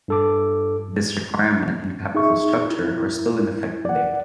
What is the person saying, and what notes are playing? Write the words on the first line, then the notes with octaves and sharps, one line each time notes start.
This requirement and capital structure are still in effect today.
G2 A4 D6
D#4 G#4 E5 C#6
E4
D5 F#5